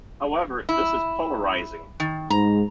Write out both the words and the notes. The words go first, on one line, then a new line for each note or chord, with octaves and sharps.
However, this is polarising.
E4
D#3
G#2 A#5